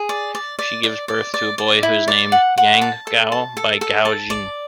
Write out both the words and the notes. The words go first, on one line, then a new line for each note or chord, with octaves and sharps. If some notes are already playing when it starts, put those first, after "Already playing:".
She gives birth to a boy, who is named "Yang Guo" by Guo Jing.
Already playing: G#4
D5
D5
D5
D5
D5
D5
D5
E4
D5
F#5
F#5
A5
A4
A5
A4
A4
A5
D5